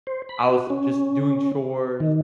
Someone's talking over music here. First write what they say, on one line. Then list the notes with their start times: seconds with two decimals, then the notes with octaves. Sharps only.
I was just doing chores
0.07 C5
0.29 B5
0.49 F#4
0.70 C#4
2.00 D#3